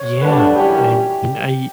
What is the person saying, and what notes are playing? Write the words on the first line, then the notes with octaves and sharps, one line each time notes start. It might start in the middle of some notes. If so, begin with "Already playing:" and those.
Yeah, I mean, I
Already playing: C#5
D2 D3 G3 D4 F#4 B4
F#2 E3 G3 C#4 G4